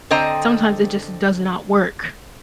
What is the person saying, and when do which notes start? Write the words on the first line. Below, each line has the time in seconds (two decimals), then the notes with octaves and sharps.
sometimes it just does not work.
0.11 D3 C4 C5 D#5 G5 A#5